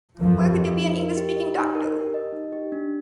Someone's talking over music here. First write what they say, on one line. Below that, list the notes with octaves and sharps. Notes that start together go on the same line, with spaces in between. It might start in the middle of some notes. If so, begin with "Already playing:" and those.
Where could there be an English-speaking doctor?
F2 F3 A#4
G4
D#5
D#4
A#4
G4
D#5
D#4
A#4
G4
D#5
D#4
G4
D4